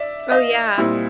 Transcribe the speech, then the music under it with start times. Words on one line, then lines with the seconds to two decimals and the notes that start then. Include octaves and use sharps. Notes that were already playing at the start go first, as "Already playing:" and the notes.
Oh, yeah.
Already playing: D5 E5
0.32 D#5 F5
0.78 A#2 G3 C4 E4